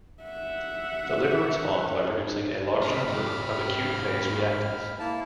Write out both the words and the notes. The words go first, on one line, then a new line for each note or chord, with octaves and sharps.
The liver responds by producing a large number of acute-phase reactants.
E5 F#5
C3 G#3 B5 F6
G#2 G4
A#3 E4 A5